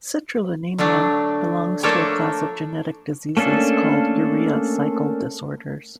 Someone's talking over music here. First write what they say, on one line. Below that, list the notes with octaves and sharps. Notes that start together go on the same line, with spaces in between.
Citrullinemia belongs to a class of genetic diseases called urea cycle disorders.
D3 F#3 A3 D4
F3 A3 A#3 D4 A4 C#5
A3 A#3 C#4 D4 A4